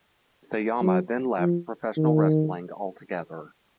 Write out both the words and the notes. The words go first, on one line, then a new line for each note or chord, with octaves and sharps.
Sayama then left professional wrestling altogether.
F#3
F3
D#3